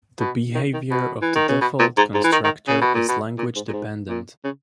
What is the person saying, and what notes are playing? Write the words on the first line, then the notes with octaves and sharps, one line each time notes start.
The behavior of the default constructor is language dependent.
B2
D#3
D#3
B2
E3
D#3
C#3
B2
A#2
G#2
G#2
E3
D#3
D#3
C#3
B2
A#2
B2
A#2
G#2
A#2
G#2
A#2
C#3